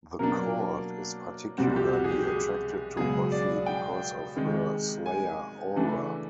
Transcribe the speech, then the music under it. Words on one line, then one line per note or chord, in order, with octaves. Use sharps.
The korred is particularly attracted to Buffy because of her Slayer aura.
B2 F#3 A#3 D4 A#4
C2 B2 G3 C4 F#4
G4
F#4
G#4
G4
G#4
C#2 B2 F#3 G#4
D5
G5
C3 D#3 G#3
G#5
C#3 E3 A3 D4